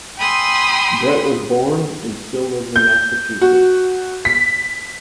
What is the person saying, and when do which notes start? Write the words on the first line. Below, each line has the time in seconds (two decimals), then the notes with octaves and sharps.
Brett was born and still lives in Massachusetts.
0.18 G5 G#5 B5 C6 D#6 E6
2.76 G6
3.41 F#4
4.25 B6